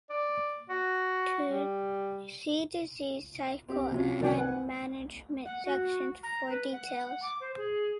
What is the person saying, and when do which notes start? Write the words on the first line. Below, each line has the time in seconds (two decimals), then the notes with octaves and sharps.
See disease cycle and management sections for details.
0.10 D5
0.69 F#4
1.49 G3
3.69 C4 G4
3.91 C3 F#3 C#4 F4
4.20 C2 D#3 F#3 D5 G5 G#5
4.37 B4 F#5 G#5
5.46 F#5
5.65 F#4
6.23 A#5
6.49 B4
6.72 F#5
7.22 D6
7.40 C5
7.57 G#4